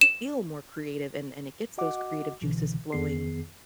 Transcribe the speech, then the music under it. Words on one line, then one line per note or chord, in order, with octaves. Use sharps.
feel more creative, and and it gets those creative juices flowing
E7
F#4 D#5 F#5 D6
C2 B2 D3 E3
F2 D#3 B3 G#4 C7